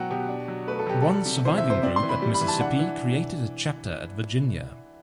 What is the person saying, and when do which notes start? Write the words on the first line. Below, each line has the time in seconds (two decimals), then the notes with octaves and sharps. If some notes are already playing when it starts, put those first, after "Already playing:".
One surviving group at Mississippi created a chapter at Virginia.
Already playing: B2 F#3 B3 F#5 G5
0.11 B2 G4
0.29 D4
0.48 F#3
0.67 A3 B4
0.79 A4
0.86 F#3 G4
1.02 A4
1.07 G3
1.26 C3
1.45 E3 C5
1.58 E5
1.64 C3
1.70 C5
1.83 C4 D5
1.96 C6
2.03 E3
2.09 B5
2.22 G3
2.34 B5
2.41 E3
2.48 A5
2.60 D4 F#5
2.79 E3